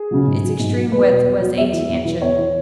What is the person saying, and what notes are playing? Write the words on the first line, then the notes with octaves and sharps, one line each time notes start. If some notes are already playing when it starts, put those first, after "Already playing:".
Its extreme width was eighteen inches.
Already playing: G#4
C#3 F#3
G#2
F#3
G#2
F#3
E2 B4
B2 F#3
E2
B2 F#3
E2 E5
E3
E2
E3
E2 C#5
E3